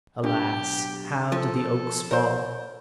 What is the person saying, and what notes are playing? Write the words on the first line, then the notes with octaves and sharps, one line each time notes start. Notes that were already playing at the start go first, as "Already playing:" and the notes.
Alas! how do the oaks fall?
B1 D4 G4
F3 A4
A#4 C5 C#5 G6